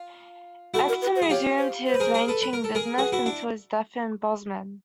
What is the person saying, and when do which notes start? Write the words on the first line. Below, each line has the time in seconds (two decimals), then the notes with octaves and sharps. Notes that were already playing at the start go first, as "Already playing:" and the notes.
Ecton resumed his ranching business until his death in Bozeman.
Already playing: F4
0.74 E4 F#4 A4
0.89 A#4
1.02 B4
1.16 C5
1.22 G#4
1.30 F4 G4 C#5
1.58 C5
1.87 C5
1.94 B4
2.00 G#4 A#4
2.14 G#4 A#4
2.28 A4 B4
2.42 B4
2.53 A#4
2.64 A4
2.75 G#4 A#4
2.98 F#4 G#4 B4
3.12 E4 F#4
3.26 D4 E4